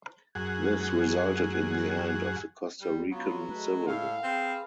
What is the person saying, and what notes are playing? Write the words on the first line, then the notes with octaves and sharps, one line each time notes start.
This resulted in the end of the Costa Rican Civil War.
F#2 G#4 F#5
D#2 G3
F#3 B3 F4 B4 C#5
G#3 A3 B4
A2 F5
C4 G#4 B4